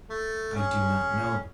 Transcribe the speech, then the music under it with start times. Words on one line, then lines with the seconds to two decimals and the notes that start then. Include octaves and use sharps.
"I do not know."
0.10 A3
0.56 C#4 G#4